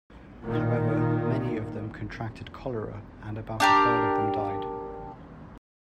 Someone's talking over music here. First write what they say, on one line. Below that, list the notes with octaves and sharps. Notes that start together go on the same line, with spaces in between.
However, many of them contracted cholera, and about a third of them died.
A#2 D#3
D4 G4 A#4